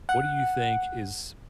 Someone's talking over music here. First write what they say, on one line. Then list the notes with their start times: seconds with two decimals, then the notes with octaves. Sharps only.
what do you think is
0.09 F#5